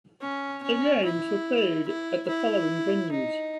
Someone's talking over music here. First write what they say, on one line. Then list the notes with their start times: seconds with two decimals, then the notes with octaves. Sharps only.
The games were played at the following venues.
0.21 C#4
0.63 C#4
1.05 E4
1.87 E4
2.28 E4
3.11 D#4